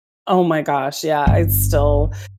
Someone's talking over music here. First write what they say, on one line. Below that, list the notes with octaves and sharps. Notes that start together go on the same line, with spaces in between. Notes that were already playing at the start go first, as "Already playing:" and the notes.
Oh my gosh, yeah, it's still
G1